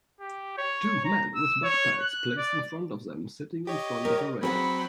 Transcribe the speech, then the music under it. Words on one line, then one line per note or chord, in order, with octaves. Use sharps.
Two men with backpacks placed in front of them sitting in front of a railing.
G4
C#5
A#5
E6
C#5
F#6
D5
G4 C#5 D#5
A#4
F#3 C4 G#4 B4 F#5 B5